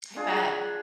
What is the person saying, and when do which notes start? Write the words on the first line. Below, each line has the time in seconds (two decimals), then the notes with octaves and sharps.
I bet.
0.16 D4 F4 G#4